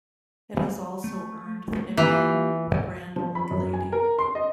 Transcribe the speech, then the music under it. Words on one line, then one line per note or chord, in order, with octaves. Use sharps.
It has also earned the nickname, "The Grand Old Lady".
A3
E3 A#3 F4 G4
F3
B5
F#2
G#5
A#4
C6
D#5